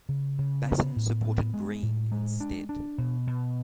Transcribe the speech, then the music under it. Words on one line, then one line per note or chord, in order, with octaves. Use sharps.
Batten supported Braine instead.
C#3
C#3
B3
A2
B3
G#3
A2
G#3
D4
D4
B2
B2